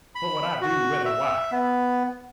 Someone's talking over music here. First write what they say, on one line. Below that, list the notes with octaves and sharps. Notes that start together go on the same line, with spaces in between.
What would I do with a wife?
B5
F#4
E5
B3